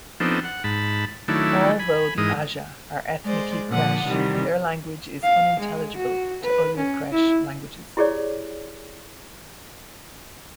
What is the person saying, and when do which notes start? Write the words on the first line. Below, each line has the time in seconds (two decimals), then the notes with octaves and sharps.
Although the Aja are ethnically Kresh, their language is unintelligible to other Kresh languages.
0.20 F3 B3 C4 D4 D#4 A4
0.44 F#5
0.64 G#2 A5 B5
1.28 D#3 F#3 A3 D4 E4
1.79 G#5 B5
2.18 G#2 E3 G#3 A#4 D#5 D#6
3.25 G#3 C5 D5
3.69 A#2 D3 F3 D4 F#5 D#6
4.08 C3 D#3 E3 G3
5.23 F5
5.60 G#3
5.96 F#4
6.44 B4
6.77 C#4
7.11 E4
7.97 E4 G4 G#4 C#5 D5